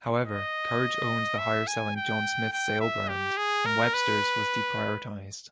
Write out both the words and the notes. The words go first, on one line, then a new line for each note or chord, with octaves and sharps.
However Courage owned the higher selling John Smith's ale brand, and Webster's was deprioritised.
D#5
E5
G#5
G5
G5
E5
G4
G#4
A#4
B4